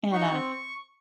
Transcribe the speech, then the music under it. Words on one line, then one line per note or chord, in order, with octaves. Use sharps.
And, uh,
D#4 F#4 C#6
C4